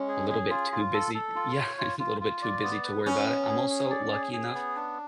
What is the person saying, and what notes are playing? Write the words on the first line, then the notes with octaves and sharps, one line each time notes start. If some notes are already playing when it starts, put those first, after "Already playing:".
A little bit too busy yeah, a little bit too busy to worry about it. I'm also lucky enough
Already playing: G#3 C#4
G#4
G#4
F4
F4
A4
A4
F4
C#5
F4
F4
F4
D5
B3
B4
B3 C#4
B3
G#4
G#4
D5
G#4
G#4
B3
D4